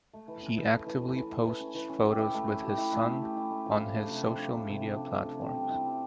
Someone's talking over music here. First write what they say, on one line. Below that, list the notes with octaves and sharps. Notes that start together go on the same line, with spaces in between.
He actively posts photos with his son on his social media platforms.
A3
E3
C#4
E3
A3
E3
C#4
E3
A3
E3
C#4
E3
C#4
G4
E4
A3
C#4
G4
E4
A3
C#4
G4
E4
A3
F3
D4
A3
C3
F3
D4
A3
C3
F3
D4
A3
C3
C4
G3
E4
G3